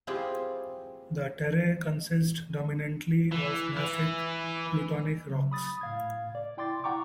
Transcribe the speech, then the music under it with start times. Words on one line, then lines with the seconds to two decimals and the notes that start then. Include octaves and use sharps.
The terrae consist dominantly of mafic plutonic rocks.
0.07 C4 E4 F4 G4 G#4 C5
3.32 E3
3.76 E3
5.28 C#3 F#3
5.51 B5 D#6 A6
5.81 A2 F5 G#6
6.35 D5
6.57 E4 G5 C6 D6 A6
6.84 E4 F#5 G5 A#5 C#6 D6